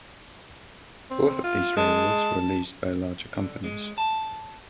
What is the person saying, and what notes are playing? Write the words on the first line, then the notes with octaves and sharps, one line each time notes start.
Both of these railroads were leased by larger companies.
C4
F4
G#3 A5
D3
G#3
A5